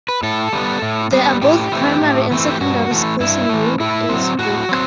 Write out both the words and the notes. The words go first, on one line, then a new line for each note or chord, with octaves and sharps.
There are both primary and secondary schools in New Earswick.
B4
A2 A4
G3 B3
A2
G3 B3
A2 G4
E3 A3 C4
A2
E3 A3 C4
G4
G2 F#4
E3 A3
G2 E4
E3 A3
A2 E4
F#3 C4
A2 F#4
F#3 C4